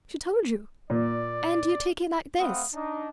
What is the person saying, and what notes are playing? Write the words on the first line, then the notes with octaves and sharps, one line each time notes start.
"She told you, and you take it like this?"
A#2 D5
A3 C4 F5 F#5 B5 D#6
D4 D#4 D#5